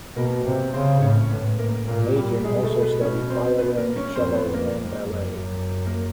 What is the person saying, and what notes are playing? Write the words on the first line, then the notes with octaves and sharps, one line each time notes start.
Magin also studied violin, cello and ballet.
B2 A#3 A#4
C3
C#3 C4 C5
A2 C#4 C#5
A2 B3 B4
A#3 A#4
A#2 A#3 A#4
G3 G4
B2 G#3 G#4
A3 A4
B3 B4
C#4 C#5
C4 C5
B3 B4
A#3 A#4
C#4 C#5
F2 C4 C5
B3 B4
A#3 A#4
F2
F#2
F#2
A#3 A#4